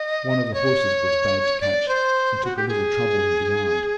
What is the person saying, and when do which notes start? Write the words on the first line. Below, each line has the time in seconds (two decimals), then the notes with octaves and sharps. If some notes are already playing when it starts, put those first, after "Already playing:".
One of the horses was bad to catch, and took a little trouble in the yard.
Already playing: D#5
0.54 C#5
1.61 D5
1.88 C5
2.45 F#4
2.57 G4
2.68 G#4